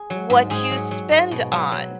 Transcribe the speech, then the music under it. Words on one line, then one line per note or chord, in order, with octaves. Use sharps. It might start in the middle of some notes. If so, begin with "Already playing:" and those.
what you spend on,
Already playing: G#4
F#3
G#2
G#2 G#4
F#3
F#3
G#2
B2
F#3
F#3